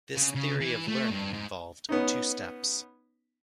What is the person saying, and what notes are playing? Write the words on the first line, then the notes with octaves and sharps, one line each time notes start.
This theory of learning involved two steps.
C#3
C#3
E3
A3
G2
G#2
B3 C#4 D#4